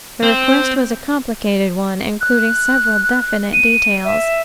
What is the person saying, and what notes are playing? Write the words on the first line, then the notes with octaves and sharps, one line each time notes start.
The request was a complicated one, including several definite details.
C4
F#6
D#7
E5